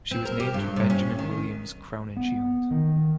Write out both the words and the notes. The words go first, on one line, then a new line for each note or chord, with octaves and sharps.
She was named for Benjamin Williams Crowninshield.
C4
A#4
G4
G2
C3
C#4
D#3
B3
D#3